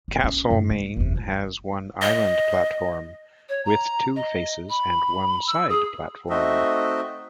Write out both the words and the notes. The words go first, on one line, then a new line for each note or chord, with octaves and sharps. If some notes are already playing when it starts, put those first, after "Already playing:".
Castlemaine has one island platform, with two faces and one side platform.
F#1
C#4
G2 C#3
A3
F#1 E2
C#2
D#5
C#5
A#5
D#5
B5
E6
G#4
A3 C4 D#4 F#4 D#5 E5